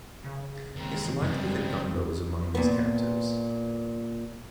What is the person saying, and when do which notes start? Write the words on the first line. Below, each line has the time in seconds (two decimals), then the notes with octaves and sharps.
It's likely that Ganga was among these captives.
0.24 C#3
0.76 D#2 E3 G#3 C4
1.22 F#2 C#3 G3
2.55 A#2 B3